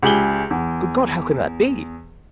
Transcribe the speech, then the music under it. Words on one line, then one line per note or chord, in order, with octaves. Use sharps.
Good God! how can that be?
C#2 G4 G#4 F#7 G7
E2